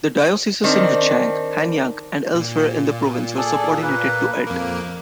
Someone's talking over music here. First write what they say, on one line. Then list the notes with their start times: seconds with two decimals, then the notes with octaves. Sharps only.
The dioceses in Wuchang, Hanyang, and elsewhere in the province, were subordinated to it.
0.64 D#3 C4 D4
2.35 A#2
3.37 G#4 A4 D5
3.82 A#3 B4
4.47 F2 A#3 D6